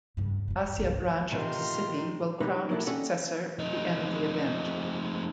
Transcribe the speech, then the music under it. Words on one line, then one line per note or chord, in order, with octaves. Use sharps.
Asya Branch of Mississippi will crown her successor at the end of the event.
G2 C#3
F2 G#2
C2 G2
A2 C3 D#3 F4 A#5 C6
C#3 G3 D#4 F#4 B4
G3 A#3 D4 E4 F#4 A4
C4 C#4 A4 D5 D#5 F#5
F2 D#4